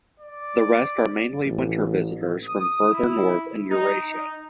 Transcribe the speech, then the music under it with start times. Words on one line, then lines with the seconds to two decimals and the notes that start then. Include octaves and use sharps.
The rest are mainly winter visitors from further north in Eurasia.
0.20 D5
1.45 A1
2.46 D#6
2.91 E4
3.70 D#4
4.11 D#4